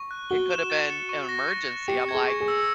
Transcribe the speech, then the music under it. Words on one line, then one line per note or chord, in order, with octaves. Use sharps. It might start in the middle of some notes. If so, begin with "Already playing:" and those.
It could have been an emergency," I'm like,
Already playing: C#6
F#6
F#4 G7
E7
A6
C#7
C#6
A#6
C#6
F#6
G4 C#7
G#6
G#4
C#6
G#4
E6